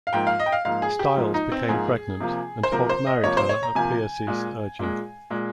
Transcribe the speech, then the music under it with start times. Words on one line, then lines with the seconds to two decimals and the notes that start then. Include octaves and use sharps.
Styles became pregnant, and Hogg married her at Pearcey's urging.
0.07 F5
0.13 G#2 F3 A#3 G5
0.27 F5
0.39 D#5
0.46 G5
0.52 F5
0.65 G#2 F3 A#3 F5
0.82 G#4
0.99 G4
1.17 G#2 F3 A#3
1.34 D#4
1.52 C4
1.69 G#2 F3 A#3 G#4
2.20 C3 F3 A#3
2.63 C5
2.72 C3 F3 A#3 A#4
2.89 C5
3.06 D#5
3.24 C3 F3 A#3 C#5
3.37 C5
3.49 C#5
3.63 A#5
3.75 C3 F3 A#3 G#5
4.27 A#2 G#3
4.79 A#2 G#3
5.30 A#2 G#3